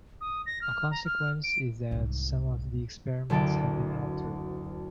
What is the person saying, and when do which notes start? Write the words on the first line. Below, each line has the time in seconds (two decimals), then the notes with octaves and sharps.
A consequence is that some of the experiments have been altered.
0.21 D#6
0.46 A#6
0.62 F6
0.91 A#5
1.05 F6
1.44 D7
1.91 C2 G#2
3.30 F#1 D2 A4 A5 D7